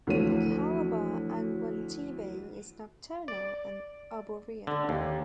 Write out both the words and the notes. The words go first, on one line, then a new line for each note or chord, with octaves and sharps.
The Calabar angwantibo is nocturnal and arboreal.
D2 E3 F3 A3 C#5 D#7
D5
D3
D#2